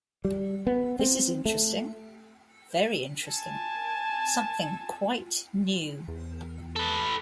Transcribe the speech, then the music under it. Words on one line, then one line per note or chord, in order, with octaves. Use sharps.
This is interesting — very interesting — something quite new.
G3
B3
C4
A3
G#5 A5
E2
A4 B4